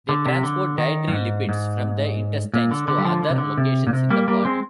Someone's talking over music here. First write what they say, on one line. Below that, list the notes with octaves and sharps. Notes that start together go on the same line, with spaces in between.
They transport dietary lipids from the intestines to other locations in the body.
D3
C3
D3
D#3
G2
G#2
G#2
A#2
D3
D3
G3
D3 F3
D3
C3
D3
C3
A#2
C3
G3 A#3
G3 A#3
G#3 C4